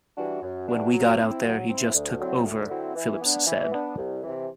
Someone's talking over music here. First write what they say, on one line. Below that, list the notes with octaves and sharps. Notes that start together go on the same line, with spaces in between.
"When we got out there, he just took over," Phillips said.
E3 G3 D4 F#4
F#2
E3 G3 D4 F#4
F#3
C4 E4
F#3
C4 E4
D2
D3 F#3 C4 E4
D2
D3 F#3 C4 E4
E3
B3 D4
E3
B3 D4
C2
C3 E3